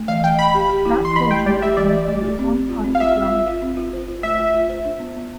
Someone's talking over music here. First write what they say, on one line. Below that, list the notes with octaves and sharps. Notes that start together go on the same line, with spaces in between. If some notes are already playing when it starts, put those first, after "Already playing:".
That portion of John Street was once part of the Grange estate.
Already playing: A3
E3 F5
E3 G5
E3 B5
G4
G4
E4
E3 C6
E3 B5
A3 G5
G4 D5
G4 E5
E3 D5
E3
A3
G4
C4
C4
F4
C4
F5
F4 E5
C4
F4
F4
C4
F4
C5
F4
A3 E5
F4
F4
C5
D4
B3
B3